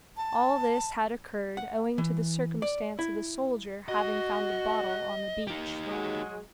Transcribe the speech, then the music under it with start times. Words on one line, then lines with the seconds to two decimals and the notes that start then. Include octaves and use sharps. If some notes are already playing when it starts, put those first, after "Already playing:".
All this had occurred owing to the circumstance of a soldier having found a bottle on the beach.
0.17 A5
1.57 F#5
1.98 E3
2.62 D5
2.99 E4
3.88 F#4 D#5
5.47 D#4 G4
5.86 F#3 G#3